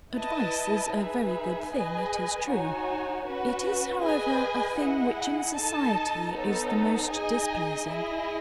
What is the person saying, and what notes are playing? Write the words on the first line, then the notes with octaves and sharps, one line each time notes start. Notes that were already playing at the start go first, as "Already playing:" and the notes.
Advice is a very good thing, it is true; it is however a thing which in society is the most displeasing.
E4 B4 D#5 A5
D#4 G#4 B4 E5
G#4 B4 D#5 G#5
D#4 F#4 C#5 G#5
C#4 F#4 B4
G#4 B4 D#5 G#5
E4 G#4 D#5 F#5
D#4 A4 D#5 A5
B3 D#4 A4 C#5
D#4 G#4 D#5 G#5
E4 G#4 D#5